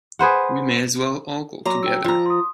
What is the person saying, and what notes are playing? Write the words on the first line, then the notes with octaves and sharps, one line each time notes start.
We may as well all go together.
G#4 B4 C5 F#5
F#3 A#5 C6 D6
G5 E6
F3 A#5
C6 D#6